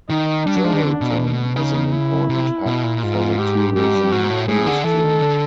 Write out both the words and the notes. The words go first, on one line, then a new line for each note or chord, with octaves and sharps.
Geraldton is an important hub for the tourism industry.
D#3 D#4
G3 D4
F#3
F3
D#3
D3
B2
A#2
B2
C#3 D#4
E4
C3
B2
A#2
G#2 F4
G4
G#2 G4
G2
G#2 F#4
A2
A2 G#4
D3
E3 A4
D#3
D3